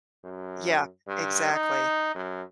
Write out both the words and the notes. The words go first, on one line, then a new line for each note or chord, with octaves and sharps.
Yeah, exactly.
F#2
G2
D#4
F#2